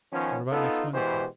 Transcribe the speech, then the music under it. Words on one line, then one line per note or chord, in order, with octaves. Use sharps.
"What about next Wednesday?"
D#3 F3 B3 C#4
B3 D#4 F4 A4
B2 E3 G#3 G4 C5